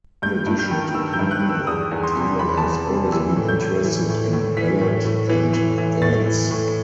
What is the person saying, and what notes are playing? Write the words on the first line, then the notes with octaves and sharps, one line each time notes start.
In addition to piano, Taylor has always been interested in ballet and dance.
G2 G6
G2
G6
D#3
D#3 E6
G6
G2
F#6
D#3
E6
E2 D#6
E2
C6
C3
E2 B5
A5
E2
C3
E3 E6
A2
G6
A2
E3
A2
A2
E3 B6
A2
A2
E3
E3
E3
A2 A6
E3
A2